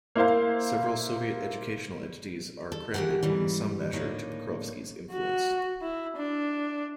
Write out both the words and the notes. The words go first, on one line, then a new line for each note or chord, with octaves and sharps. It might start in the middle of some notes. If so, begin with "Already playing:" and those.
Several Soviet educational entities are credited in some measure to Pokrovsky's influence.
A#3 E4 C5 F5
A4
E3 A3 G4 A#4 F#5
G#2 E3 G3
A2 A#3 D4 D#4
F#4
E4
D4